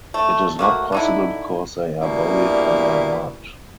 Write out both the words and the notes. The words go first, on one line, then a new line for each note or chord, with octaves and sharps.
It is not possible because they are buried under mud.
A3
A3 A#3 F#4
D3 D#4 E4
B2 G3 A#3 D4 E4